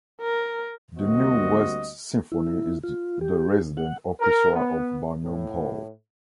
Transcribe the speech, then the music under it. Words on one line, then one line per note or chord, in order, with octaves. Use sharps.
The New West Symphony is the resident orchestra of Barnum Hall.
A#4
D2 G3 A#3 C4 F#4 D#5
E4
F4
G4
F#5
A#4
B3
A2